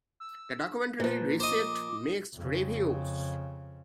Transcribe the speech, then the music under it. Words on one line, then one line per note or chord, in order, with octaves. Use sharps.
The documentary received mixed reviews.
E6
A#2 F3 B4
C5 D#5 D6
F2 C#3